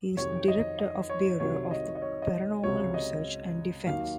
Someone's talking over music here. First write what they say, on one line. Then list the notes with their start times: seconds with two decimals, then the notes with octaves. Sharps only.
He is director of the Bureau of Paranormal Research and Defense.
0.17 F2 C3 D#3 F#3 C#5
0.48 D#5
0.79 D#5
1.10 C#5
1.40 C2 C3 D#3 F#3 C#5
1.71 D#5
1.95 D#5
2.02 C#5
2.22 D#5
2.63 C#2 C3 F#3 C#5
2.94 D#5
3.86 D#2 D#3 F#3 F5